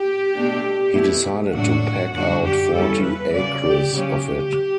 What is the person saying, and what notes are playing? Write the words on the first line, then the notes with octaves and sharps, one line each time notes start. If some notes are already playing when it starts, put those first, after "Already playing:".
He decided to peg out forty acres of it.
Already playing: G4
B2 A3 D4
B2 A3 E4
A2 F#3 A3 D4 F#4
F#2 D3 G3 D4 F#4
G4
E2 C#3 G3 C#4 E4 A4
B4
C#3 F#3 C#4 D5
G4
C#3 F#3 C#4 G4